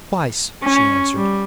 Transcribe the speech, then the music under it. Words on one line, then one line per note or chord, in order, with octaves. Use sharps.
"Twice," she answered.
C#4
G3